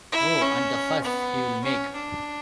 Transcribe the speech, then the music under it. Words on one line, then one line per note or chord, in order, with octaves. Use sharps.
Oh, and the fuss he’ll make!
E4
C#4
B3
C#4
D4